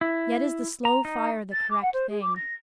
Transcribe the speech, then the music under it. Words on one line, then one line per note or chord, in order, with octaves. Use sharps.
Yet is the slow fire the correct thing.
E4
A#5
D#4
A6
D6
F#5
C5
G#4
D6
A#6